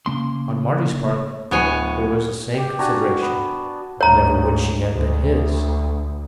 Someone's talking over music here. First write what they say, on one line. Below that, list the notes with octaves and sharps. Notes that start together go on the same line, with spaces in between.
On Marty's part there was the same consideration; never would she have been his.
C#3 A#3 C6
D1 B3 C#5 G#5 C#7
G4 G5
D4 F#4 G#5 A#5
B3
D2 G#2 C#5 A#5
D2